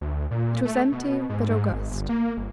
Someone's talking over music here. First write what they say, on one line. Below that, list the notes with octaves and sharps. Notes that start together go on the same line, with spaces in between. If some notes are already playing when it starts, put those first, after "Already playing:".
It was empty but august.
D2
A#2
A3
B2
G#2
G#2
G#1
G1
A#3
G1